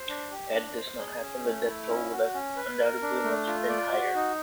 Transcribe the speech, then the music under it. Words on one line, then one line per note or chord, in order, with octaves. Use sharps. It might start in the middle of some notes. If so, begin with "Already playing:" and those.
Had this not happened, the death toll would have undoubtedly been much higher.
Already playing: C5
D4
G4
D4
C5
G#4
C#4
A3
E4
C#4
F#4
C#4
B4
A#4
D4
A3
F4
D5
F#4
D#4